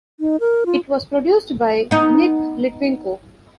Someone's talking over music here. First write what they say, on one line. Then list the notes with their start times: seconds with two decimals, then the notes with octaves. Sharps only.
It was produced by Nick Litwinko.
0.20 D#4
0.40 A#4
0.66 F4
1.91 B3 D#4